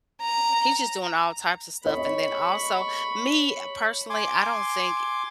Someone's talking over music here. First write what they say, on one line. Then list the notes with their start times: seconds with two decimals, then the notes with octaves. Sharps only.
he's just doing all types of stuff, and then also me, personally, I don't think
0.21 A#5
1.86 C#5 D#5 B5 C#6
4.10 G#5 C6 D6